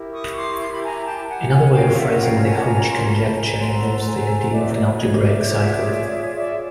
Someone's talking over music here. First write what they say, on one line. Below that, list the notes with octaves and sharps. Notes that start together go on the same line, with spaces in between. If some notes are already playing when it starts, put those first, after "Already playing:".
Another way of phrasing the Hodge conjecture involves the idea of an algebraic cycle.
Already playing: E4 G4 A#4
C#6 D#6
C6 D6
C#6
C6
B5
G#5 A#5
G5 A5
F#5 G#5
F#5 G#5
C#4 F4 A#4 F5 G5
E5 F#5
F5 G5
F#5 G#5
A5
G#5 A#5
A#5 C6
A5 B5
G#5 A#5
F#4 A4 C5 A#5 C6
G#5 A#5
D5 E5
D#5
D5 E5
C#5 D#5
D#5
D5 E5
F4 G#4 C#5
D5 E5